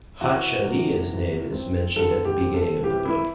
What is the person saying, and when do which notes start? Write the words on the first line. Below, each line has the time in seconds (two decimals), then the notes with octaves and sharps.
Hachaliah's name is mentioned at the beginning of the book.
0.21 E3 F#4
0.64 C3
1.08 E3
1.52 C4
1.96 D3 A4
2.25 G4
2.40 C4
2.54 A4
2.83 E3 G4
3.05 E4